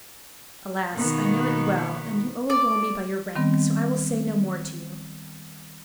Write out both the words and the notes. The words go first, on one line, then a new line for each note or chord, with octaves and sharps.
"Alas, I know it well, and you overwhelm me by your rank; so I will say no more to you."
B2 D#3 A#3 B3
D5
D#3 G3 B3 C4